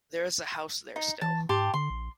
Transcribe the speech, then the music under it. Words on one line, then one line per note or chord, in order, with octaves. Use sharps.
There is a house there still.
D#4
E3 A5
G#2 G4 A5 C6
D3 C6
A#1